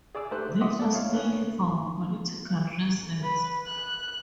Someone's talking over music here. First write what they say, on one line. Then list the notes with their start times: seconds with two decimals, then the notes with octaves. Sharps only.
This was mainly for political reasons.
0.15 G#4 D5 D6 E6
0.31 A3 G4 C5 F#6
0.60 D#5 E5 F#5 C6 D6 D#6
0.80 A4 D5
0.92 D4 E4 C#5 F5
1.13 B3 C#4
3.23 B4
3.66 F#6